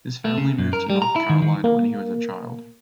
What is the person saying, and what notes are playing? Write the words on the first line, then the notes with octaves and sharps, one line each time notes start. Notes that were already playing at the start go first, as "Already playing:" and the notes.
His family moved to North Carolina when he was a child.
A3
C#3
F#2
A#4
G3
A#5
E4
D#3
D#3
A#3